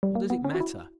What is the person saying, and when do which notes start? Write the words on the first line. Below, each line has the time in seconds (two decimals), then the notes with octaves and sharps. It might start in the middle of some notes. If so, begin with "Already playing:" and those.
What does it matter?
0.03 G3
0.15 A#3
0.30 B3
0.45 C#4
0.55 F#4
0.60 E4